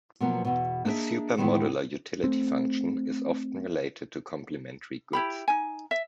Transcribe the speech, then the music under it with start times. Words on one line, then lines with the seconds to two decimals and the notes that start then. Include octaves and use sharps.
A supermodular utility function is often related to complementary goods.
0.20 B2 F3 F#3 A#3 B3
0.45 E2 B2
0.85 A#3 D4 G#4 D#5 E5
1.38 A2 D#3 E3 G#3 B3 E4
2.24 A3 C4
5.13 E4 G4 B5
5.48 D#4 G#5
5.91 E5